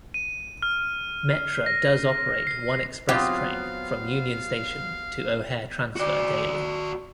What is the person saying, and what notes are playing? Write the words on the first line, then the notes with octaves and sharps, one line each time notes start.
Metra does operate one express train from Union Station to O'Hare Transfer daily.
D#7
F6
C7
A#6
C7
F#3 B3 C4 F4 G4 F5
F#4 D5